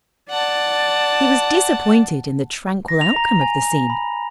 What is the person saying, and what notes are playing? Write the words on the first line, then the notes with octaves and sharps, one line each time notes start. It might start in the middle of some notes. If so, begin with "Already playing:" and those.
He was disappointed in the tranquil outcome of the scene.
D5 F#5 A5
A#6
F7
A#5
G#5
B5